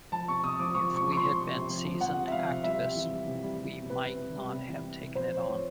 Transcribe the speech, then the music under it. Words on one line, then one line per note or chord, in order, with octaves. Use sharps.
If we had been seasoned activists, we might not have taken it on.
F3 A5
C3 C#6
C3 D#6
F3 D6
F3 C#6
C3
C#6
F3
C#6
C6
F3
C3
C3
F3
F3
F3 F#5
C3
E5
F3 F5
C3
G3 E5
C3
E3
G3
C3
G3
G3
C3
C3 B4
C3
C3
G3
C3
E3
C3
C3
F3 C5
F3 C#5
F3